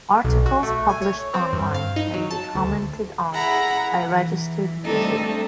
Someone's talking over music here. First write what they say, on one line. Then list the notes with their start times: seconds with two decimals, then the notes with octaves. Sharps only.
Articles published online can be commented on by registered users.
0.24 B1
0.46 F#4
0.63 A3
0.89 G#5
1.02 C#5
1.34 C4
1.53 G2
1.74 F5
1.96 D#4
2.13 F#3
2.31 A5
2.55 D2
3.34 E4 G#4 F#5 A#5 B5
4.01 E3
4.85 G3 A3 C4 D4 D#4 A4